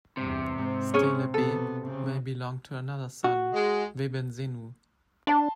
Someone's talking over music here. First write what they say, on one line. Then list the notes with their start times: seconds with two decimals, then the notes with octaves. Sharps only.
Stele B may belong to another son, Webensenu.
0.17 E2 G2 C3
0.54 G#2 C4
0.94 C#4 G#4 C#5
1.34 B2 B3 A4
1.86 C#3 C4
3.24 F#4
3.53 G#3
5.27 D4 A5 C6